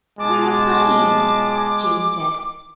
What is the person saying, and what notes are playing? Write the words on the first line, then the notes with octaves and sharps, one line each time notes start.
"We were playing," Jean said.
B1 G#3 F4 A5 D6